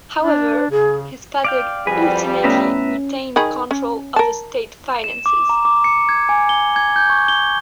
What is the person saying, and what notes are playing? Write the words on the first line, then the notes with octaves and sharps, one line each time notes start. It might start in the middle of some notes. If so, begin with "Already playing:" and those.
However, his father ultimately retained control over state finances.
D4
B4
C#3 G#4
D5 F5 G5
F2 G3 F#4 G#4 B4
A2 B3 C#4 B4 E5 A#5
D#3 G#4 B5
C#4
A#4 A5
E7
D6
A#5
D6
C#7
G#6
G#5
G7
G#6
G6
C#6
G7